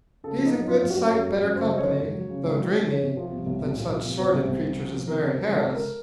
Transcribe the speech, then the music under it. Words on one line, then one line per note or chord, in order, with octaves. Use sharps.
"He's a good sight better company, though dreamy, than such sordid creatur's as Mari' Harris."
C#3 A4
F3
D#4
F#2
F#2 F4
F#2 F4
F#4
F#2
F#2
F#2
F#2
C#3 C5
C#3 D#5
C#5
F#2
C#2
F#3
C#3
C#2
F#3
C#3
F3 C#5
C3
F3
C2
C2
C2
A#2
F3
C2
C2 C5
C2
C2
C3
F3
F3
C3 A#4
C3
C#2
C#2 A4
C#2
A#4